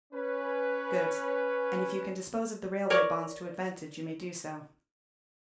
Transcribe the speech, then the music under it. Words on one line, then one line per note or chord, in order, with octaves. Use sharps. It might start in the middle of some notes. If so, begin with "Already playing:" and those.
"Good; and if you can dispose of the railway bonds to advantage, you may do so."
C#4 B4
A#4 C#5 D5